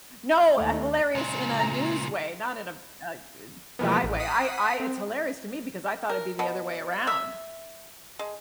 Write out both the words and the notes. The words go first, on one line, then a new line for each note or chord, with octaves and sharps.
No, eh, hilarious in a news way, not in a a eh, guy way, I I it's hilarious to me because I thought it'd be the other way around.
D#2 A3
C#2 A#2
A#5
B2 E3 F3 G#3 A#3 B3
A1
F#5 D#6 B6 C7 D#7
C4
A#4
B2
E5
G#3